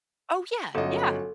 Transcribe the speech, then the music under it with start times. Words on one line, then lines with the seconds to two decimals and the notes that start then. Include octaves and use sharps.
Oh, yeah, yeah.
0.75 G1 F#3 C#4 A4 D#5 C#7